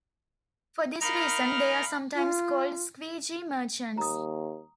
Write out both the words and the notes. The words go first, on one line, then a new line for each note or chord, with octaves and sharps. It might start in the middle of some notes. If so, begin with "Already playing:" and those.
For this reason, they are sometimes called squeegee merchants.
D#4 A#4 F5 B5 F6
F4
D#2 A#5 D#6